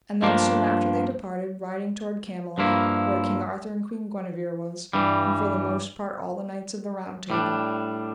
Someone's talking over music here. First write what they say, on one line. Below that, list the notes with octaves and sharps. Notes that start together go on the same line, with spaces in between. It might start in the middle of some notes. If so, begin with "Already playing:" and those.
And then soon after they departed, riding toward Camelot, where King Arthur and Queen Guenever was, and for the most part all the knights of the Round Table.
G2 F3 A#3 D4
G2 F3 A#3 E4
G2 E3 G3
A2 G3 D4